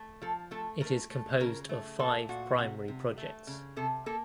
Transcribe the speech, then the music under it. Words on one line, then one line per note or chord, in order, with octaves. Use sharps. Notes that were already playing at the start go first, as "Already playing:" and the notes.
It is composed of five primary projects.
Already playing: A3
F3 A4
A3 A4
A3 A#4
A3
C#3 A#4
A3
A#2 A4
A#2 F#4
C3
C3
A3
C#3
C3 A4
A#3 A4